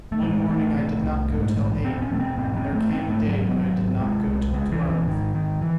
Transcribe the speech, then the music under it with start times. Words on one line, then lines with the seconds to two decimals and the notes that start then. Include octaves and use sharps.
One morning I did not go till eight, and there came a day when I did not go till twelve.
0.12 A3
0.22 A2 G#3
0.49 A1 A3
0.76 C3
1.03 C2
1.31 G#2
1.57 A1
1.84 E1 C4
2.02 C#4
2.12 E1 A3
2.20 C4
2.37 G#2 C4
2.57 C4
2.65 G#1
2.74 A3
2.92 G#2 C4
3.10 A3
3.19 G#1
3.28 F#3
3.46 G#1
3.72 G#1
4.00 C3 G#3
4.27 C2
4.54 C#3 G#3
4.72 E3
4.81 C#2
4.89 E3
5.08 G#1 D#3
5.34 G#1 D#3
5.61 E3